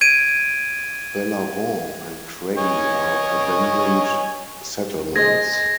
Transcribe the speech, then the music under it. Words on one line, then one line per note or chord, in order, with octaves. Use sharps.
Bellavaun and Craggy are abandoned settlements.
G#6 D7 D#7
C#5 D#5 G#5
G#4 C5 D#5 G#6 A#6